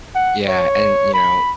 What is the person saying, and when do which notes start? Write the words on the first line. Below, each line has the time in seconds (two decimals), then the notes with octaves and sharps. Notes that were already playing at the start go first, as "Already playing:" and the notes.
Yeah, and, you know,
0.15 F#5
0.48 C#5
1.14 B5